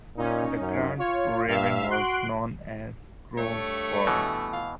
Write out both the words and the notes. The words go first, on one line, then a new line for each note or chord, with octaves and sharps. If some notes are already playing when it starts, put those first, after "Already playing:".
The grant to Raven was known as Grove Farm.
A#2 C#4 D#4
F#2
F4 C#5
G2 E5 F5
F#4 C6 F#6 D7
G2 A3 C#5
B2 E3
F5